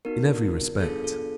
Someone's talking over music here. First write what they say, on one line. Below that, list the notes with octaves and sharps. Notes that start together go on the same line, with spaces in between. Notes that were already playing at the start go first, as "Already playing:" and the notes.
"In every respect."
B3 D#4 F#4 A#4
B3 D4 F4 G#4 A4
A4